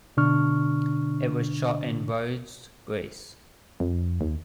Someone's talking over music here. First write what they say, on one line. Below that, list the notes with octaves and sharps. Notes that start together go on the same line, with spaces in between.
It was shot in Rhodes, Greece.
B2 D3 D4 C#6 F6
F2
D#2